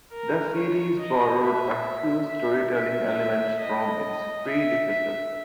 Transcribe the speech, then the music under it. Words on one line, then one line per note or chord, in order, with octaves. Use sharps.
The series borrowed a few storytelling elements from its predecessor.
A#4
C#5
D#5
E5
E5
E5
D#5
E5
E5